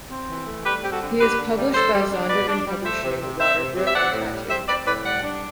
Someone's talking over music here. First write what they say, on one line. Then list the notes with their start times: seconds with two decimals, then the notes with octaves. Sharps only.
He is published by Zondervan Publishing, WaterBrook, and Hachette.
0.10 C4
0.29 E3
0.47 A3
0.65 G3 G4 B4
0.83 C4 G4
0.92 F#4 A4
1.01 D3
1.20 D3 G4 B4
1.38 D3
1.56 G3
1.74 G3 A4 C5
1.93 G3
2.11 D4
2.29 B2 B4 D5
2.48 D4
2.66 G3
2.84 A3 C5 E5
3.03 C3
3.21 C3
3.39 C4 C5 E5
3.58 C3
3.76 C3
3.86 E5
3.94 C4 D5 F#5
4.12 A2
4.31 G3
4.49 C4 C5 E5
4.67 C4 B4 D5
4.86 A2 B4 D5
5.04 G3 D5 F#5
5.23 D4